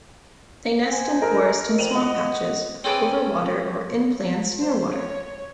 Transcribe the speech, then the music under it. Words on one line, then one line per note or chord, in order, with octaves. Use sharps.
They nest in forest and swamp patches, over water or in plants near water.
C5 G#5
A4 A#4 D#5
F2 D#7 F7 F#7
D#5 F#5
C4 C#4 G#4 A4 B4 D6
C5
C#5